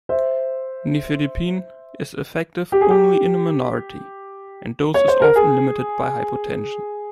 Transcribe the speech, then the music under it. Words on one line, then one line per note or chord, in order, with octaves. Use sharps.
Nifedipine is effective only in a minority, and dose is often limited by hypotension.
C5 E5
G4
G#4
G4
C#5
C5
A#4
G#4